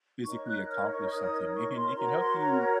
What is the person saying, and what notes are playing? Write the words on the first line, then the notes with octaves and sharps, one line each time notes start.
physically accomplished something. It can it can help you
D#4 A#4 C#5 C#6
F#6
F6
C#6
D#6
C#6
C6
F#4 A#4 C#5 A#5
C6
A#5